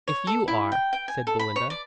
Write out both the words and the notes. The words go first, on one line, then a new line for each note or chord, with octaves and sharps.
"If YOU are," said Belinda.
C#5
A4
E4
G5
G5
G#5
A4
B5
C#5
D5